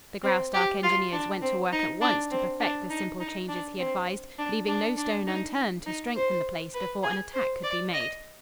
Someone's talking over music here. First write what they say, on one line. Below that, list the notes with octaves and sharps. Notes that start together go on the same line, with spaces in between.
The Graustark engineers went to work at once to perfect the simple changes he advised, leaving no stone unturned to strengthen the place before an attack could be made.
C4
G4
F4
D4
C4
D#4
D4
C4
D4
D#4
D#4
D4
C4
D4
D4
D4
D#4
D#4
C5
B4
G#4
C5
D5
D#5